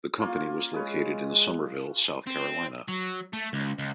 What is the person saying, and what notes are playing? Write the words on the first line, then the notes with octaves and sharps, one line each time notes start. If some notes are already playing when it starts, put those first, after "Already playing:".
The company was located in Summerville, South Carolina.
A#3 C#4 F4
G#3 G#4 B4 C#5
C4
F#3
A3
C#2
C#2